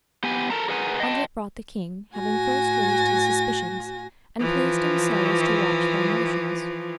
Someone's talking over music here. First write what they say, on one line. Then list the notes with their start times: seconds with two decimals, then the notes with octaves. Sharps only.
Andret brought the king, having first raised his suspicions, and placed him so as to watch their motions.
0.23 B3 G4 G#5
0.50 A4 A#4 A5 A#5
0.69 G#4 A#4 B4 F#5 G#5 A#5
1.00 D#5 G5 A5
2.14 A2 F#4 G#5 A#6
4.41 E3 F3